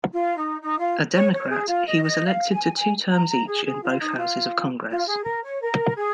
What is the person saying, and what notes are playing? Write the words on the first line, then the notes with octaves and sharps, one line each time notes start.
A Democrat, he was elected to two terms each in both houses of Congress.
F4
D#4
D#4
F4
C#5
C#5
G#4
F4
D#5
D#5
F5
G#5
G#5
A#5
A#5
G#4
G#4
F4
D#4
F4
F4
G#4
A#4
C#5
A#4
G#4